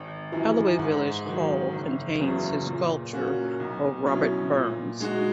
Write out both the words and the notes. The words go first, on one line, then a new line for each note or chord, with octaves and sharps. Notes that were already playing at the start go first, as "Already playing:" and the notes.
Alloway village hall contains his sculpture of Robert Burns.
Already playing: G#1
F#2 E3
G#2
D#3 F#3
F#1
E2 C#3 F#3 B3
A#2
A#3 C#4 F#4
B1
B2 F#3 C#4 E4
A#2
G#3 D#4 F#4